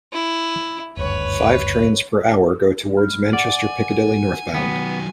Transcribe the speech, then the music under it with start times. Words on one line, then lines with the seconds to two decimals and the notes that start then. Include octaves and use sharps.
Five trains per hour go towards Manchester Piccadilly northbound.
0.12 E4
0.97 F#1 D2 G2 B4 C#5
2.97 B5 F6
3.33 D5 F#5 G#5
4.54 D#3 F#3 B3